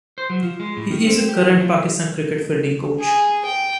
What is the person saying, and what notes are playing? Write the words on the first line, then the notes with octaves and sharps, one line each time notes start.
He is the current Pakistan cricket fielding coach.
C5
F#3
F3
G#3
A2
D#3
C4
G4
E3
F3
G#4
G5